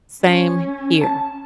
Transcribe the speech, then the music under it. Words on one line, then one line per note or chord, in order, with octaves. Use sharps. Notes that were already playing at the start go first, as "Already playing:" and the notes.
Same h here.
C#4
A5